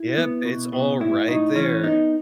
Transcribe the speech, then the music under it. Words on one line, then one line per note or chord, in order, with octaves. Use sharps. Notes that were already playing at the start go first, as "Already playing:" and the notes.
Yep. It's all right there.
Already playing: E4
B3
B2
B2
A2 E4
A2 D#4
E3 C#4
B3 D#4